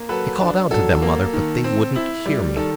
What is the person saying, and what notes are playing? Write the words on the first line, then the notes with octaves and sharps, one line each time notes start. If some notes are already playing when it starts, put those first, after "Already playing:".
"I called out to them, mother, but they wouldn't hear me."
Already playing: A#3
F#3 A4 B4
D4
F#3 A4
A#3
D#3
C4
E4
G3
D#3 A4